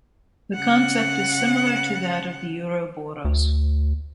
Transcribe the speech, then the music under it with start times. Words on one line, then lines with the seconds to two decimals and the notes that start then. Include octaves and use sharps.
The concept is similar to that of the Ouroboros.
0.56 C#3 F#5
3.25 D2